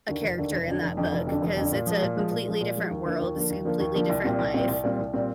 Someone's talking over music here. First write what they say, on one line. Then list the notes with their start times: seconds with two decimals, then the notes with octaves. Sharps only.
a character in that book 'cause it's a completely different world, it's a completely different life,
0.08 D#2 D3
0.23 F1
0.38 D#2 D3
0.53 F1
0.67 F2 D3
0.82 F1
0.97 F2 D3
1.12 F1
1.27 F2 D3
1.42 F1
1.57 F2 D3
1.72 A#2
1.87 F3 G#3
2.02 A#2
2.16 F3 G#3
2.31 A#2
2.46 F3 G#3
2.61 A#2
2.76 F3 G#3
2.91 D#2
3.06 D3 F3 A#3
3.20 D#2
3.35 D3 F3 A#3
3.50 D#2
3.65 D3 F3 A#3
3.80 D#2
3.95 D3 F3 A#3
4.10 C2
4.24 A#2 G3 C4
4.39 C2
4.54 A#2 G3 C4
4.68 C2
4.84 A#2 G3 C4
4.99 C2
5.13 A#2 G3 C4